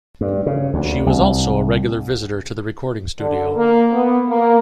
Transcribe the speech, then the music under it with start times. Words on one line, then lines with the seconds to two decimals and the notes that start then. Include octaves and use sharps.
She was also a regular visitor to the recording studio.
0.21 G2
0.46 C#3
0.74 D2
1.06 C2
3.19 D3
3.56 A#3
3.92 B3
4.28 A#3